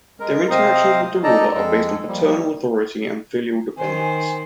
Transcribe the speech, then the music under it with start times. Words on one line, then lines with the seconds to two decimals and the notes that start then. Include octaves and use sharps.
Their interactions with the ruler are based on paternal authority and filial dependence.
0.20 G#3 A#4
0.50 C3 C4 C5 D#5 F5 D#6
1.24 D#4 A4 D5 D#5 A5 A#5
1.54 F2 G#3 A4
2.08 F3 G3 A#3
3.77 D#3 C5 G#5